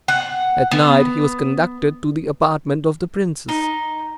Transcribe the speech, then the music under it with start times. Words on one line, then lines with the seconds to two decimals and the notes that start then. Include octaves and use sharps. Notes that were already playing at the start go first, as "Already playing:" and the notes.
At night he was conducted to the apartment of the princess.
0.08 F#5
0.71 B3
3.49 D#4